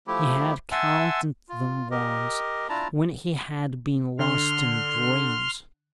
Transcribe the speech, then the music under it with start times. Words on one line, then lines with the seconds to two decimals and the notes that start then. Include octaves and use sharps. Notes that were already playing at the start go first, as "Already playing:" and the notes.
He had counted them once when he had been lost in dreams.
0.07 F3 A3 E4 G4
0.72 E5 F#5 G#5 A5 C6 E6
1.49 F4
1.91 G4 A#4 D#5
2.69 D4 E4 F4 A5 A#5
4.19 D3 C6 F6